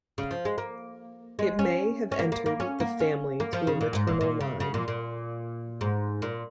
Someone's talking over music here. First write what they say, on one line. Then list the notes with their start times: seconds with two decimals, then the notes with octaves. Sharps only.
It may have entered the family through a maternal line.
0.18 C#3
0.31 F3
0.45 G#3
0.58 A#3
1.39 G#3
1.59 C#4
2.12 C#4
2.19 A#3
2.32 A#3
2.46 A#3
2.60 C#4
2.80 A#3
3.00 C#4
3.40 A#3
3.53 F3
3.67 C#3
3.81 A#2
3.93 G#2
4.07 A#2
4.21 A#2
4.40 C#3
4.60 C#3
4.74 A#2
4.88 A#2
5.81 G#2
6.22 A#2